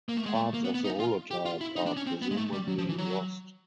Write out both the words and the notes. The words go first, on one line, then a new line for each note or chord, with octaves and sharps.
Parts of the Holotype are presumably lost.
A#3
A3
G#3
A3
A#3
B3
B3
D#4
F4
G4
F4
E4
D#4
D4
C#4
C4
B3
G#3
A3
G3
F#3
F3
E3
F#3